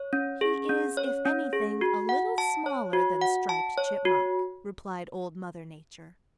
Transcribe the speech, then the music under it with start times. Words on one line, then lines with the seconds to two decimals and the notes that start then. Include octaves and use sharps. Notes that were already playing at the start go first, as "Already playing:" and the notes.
"He is, if anything, a little smaller than Striped Chipmunk," replied Old Mother Nature.
Already playing: C#5
0.13 C#4
0.41 G#4
0.69 C#4
0.97 C#5
1.25 C#4
1.53 G#4
1.81 F#4
2.09 F#5
2.38 A5
2.66 C#5
2.93 F#4
3.21 F#5
3.49 A5
3.78 C#5
4.05 F#4